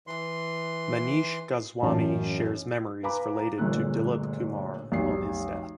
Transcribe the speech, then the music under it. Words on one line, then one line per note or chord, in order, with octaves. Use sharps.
Manish Goswami shares memories related to Dilip Kumar on his death.
E3 C6
A1 F#2 C#5 A5
B4 F5 G#5 A#5 B5 D6
G1 A#2 D3 G#3 A3 F#6
F1 B1 G3 G4 C7